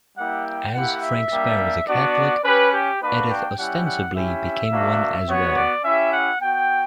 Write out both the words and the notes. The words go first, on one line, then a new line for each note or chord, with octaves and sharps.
As Frank Spare was a Catholic, Edith ostensibly became one as well.
G3 A#3 E4 G4 F#5
G5
A#3 E4 G4 F#5
E5
G3 A#3 D4 G4
B3 D4 F#4 D5
C#4 G4 B4
G4
A#3 D4 F#4 B4
G5
G3 C#4 E4 G4 F#5
F#5
C#4 E4 G4 E5
A#3 D4 F#4
B3 F#4 C#5
D5
C#4 E4 G4 E5
F#5
B3 F#4 G5